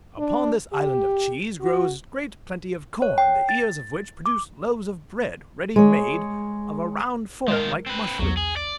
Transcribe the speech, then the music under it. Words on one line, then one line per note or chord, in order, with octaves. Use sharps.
Upon this island of cheese grows great plenty of corn, the ears of which produce loaves of bread, ready made, of a round form like mushrooms.
D4
G4
F#4
C#5
G5
A6
D6
G#3 C#5
D#3 G#3 F4 A#4
C4 B4
B1 E2 F#3
G#4
D5